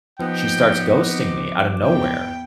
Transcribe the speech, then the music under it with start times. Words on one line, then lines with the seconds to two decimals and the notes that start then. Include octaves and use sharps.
she starts ghosting me out of nowhere,
0.20 F3 B3 D#4 G4 G5
0.93 C4 D6
1.83 E2 B3 G5